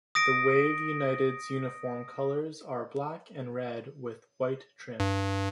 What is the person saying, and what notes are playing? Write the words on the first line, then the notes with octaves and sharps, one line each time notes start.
The Wave United's uniform colors are Black and Red with White trim.
D#6 A#6 D7
G2